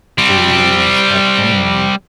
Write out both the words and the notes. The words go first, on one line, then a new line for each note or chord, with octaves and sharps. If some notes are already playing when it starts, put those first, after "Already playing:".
is at home,
G3 C4